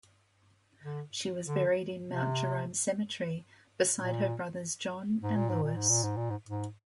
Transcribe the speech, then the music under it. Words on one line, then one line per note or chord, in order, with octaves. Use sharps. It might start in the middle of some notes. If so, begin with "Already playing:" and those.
She was buried in Mount Jerome Cemetery beside her brothers John and Louis.
D3
D3
C3
A#2
G#2
A#2
G#2
A#2
G#2
A#2
G#2
A#2
G#2
G#2